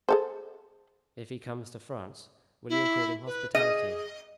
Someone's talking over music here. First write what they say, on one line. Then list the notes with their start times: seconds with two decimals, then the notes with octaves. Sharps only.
If he comes to France will you accord him hospitality?
0.09 G#4 A4 C5
2.69 E4
3.26 B4
3.55 G#4 D#5